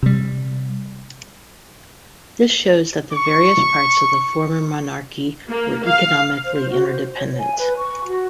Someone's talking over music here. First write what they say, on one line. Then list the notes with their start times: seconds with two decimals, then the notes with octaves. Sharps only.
This shows that the various parts of the former monarchy were economically interdependent.
0.03 C3 G3
3.13 C#6
5.49 A#3
5.86 F5
6.45 C5
6.68 F#4
6.87 C5
7.14 C#5
7.36 G#5
7.56 B4
7.77 C#6
8.05 F#4